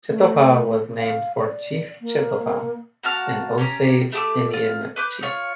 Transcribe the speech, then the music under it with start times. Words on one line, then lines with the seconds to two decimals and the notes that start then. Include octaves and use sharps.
Chetopa was named for Chief Chetopah, an Osage Indian chief.
0.10 A3
0.99 F5
1.38 D5
2.01 A#3
3.03 A#3 F#4 A5 F6
3.58 C#4 G4 A#5
4.12 A3 G4 D6 E6
4.53 F4
4.96 B4 D6 G6
5.23 F4 C#5